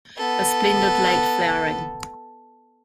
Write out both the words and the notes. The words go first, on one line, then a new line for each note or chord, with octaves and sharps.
A splendid late flowering.
B3 A4